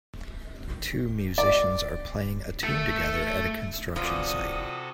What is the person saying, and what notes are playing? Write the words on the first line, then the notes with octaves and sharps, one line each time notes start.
Two musicians are playing a tune together at a construction site.
D5
A3 A4
C3 E3 F3 F#4 A4 D5 D#6